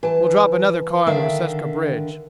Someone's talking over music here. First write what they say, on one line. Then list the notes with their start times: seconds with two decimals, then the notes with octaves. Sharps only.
We'll drop another car on the Reseca bridge.
0.03 E3 A5
1.07 D3 D#3 E5 F5